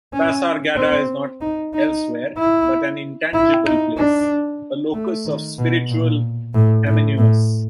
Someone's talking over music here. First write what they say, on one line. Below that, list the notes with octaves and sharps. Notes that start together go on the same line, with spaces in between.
Passargada is not elsewhere, but an intangible place, a locus of spiritual amenus.
C#4
C4
D#4
D#4
E4
E4
D#4
D4
A3
D#3
B2
A#2
A2
A2
A2